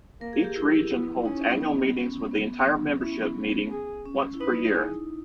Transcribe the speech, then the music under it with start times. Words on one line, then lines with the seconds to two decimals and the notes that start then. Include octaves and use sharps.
Each region holds annual meetings with the entire membership meeting once per year.
0.21 A#3 A#4
0.33 G#4
0.44 G4
0.56 E4
0.91 B3
1.25 C#4 D#4
1.37 C#4
1.50 B3
1.61 B3 D#4
1.96 C#4
2.13 C#4
2.31 B3
3.01 C#4 E4
3.12 B3
3.70 G#4
4.06 C#4
4.34 E4
4.40 D#4 B4
4.75 G#4